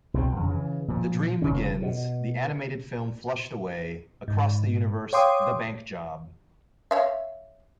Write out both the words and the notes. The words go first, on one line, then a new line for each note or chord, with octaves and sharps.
The Dream Begins; the animated film Flushed Away; Across the Universe; The Bank Job.
C2 B2 C4
F2 C#3
C#3 E3
A#2 F3
F1 C#3 C#4
B2
G#2
C#5 F5 G5 C6 D6 D#6
C#5 E5 F5